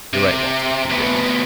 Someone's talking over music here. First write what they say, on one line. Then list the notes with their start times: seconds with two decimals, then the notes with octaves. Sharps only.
"You're right, Walter," he grinned.
0.13 C3
0.90 D2 B3